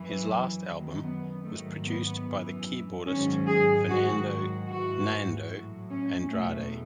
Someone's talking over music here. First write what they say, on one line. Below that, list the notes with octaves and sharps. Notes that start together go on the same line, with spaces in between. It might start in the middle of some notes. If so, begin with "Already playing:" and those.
His last album was produced by the keyboardist Fernando "Nando" Andrade.
Already playing: F#2 E3
F#2 D#3 F#3
B3
G#2 D#3 F#3 A3
B3
F#2 E3
G#2 D#3 F#3 C#4
G#4
G#2 D#3 F#3 F#4
G#2 E3 F#4
A2 F#3
C#4
E2 B2 F#3 A3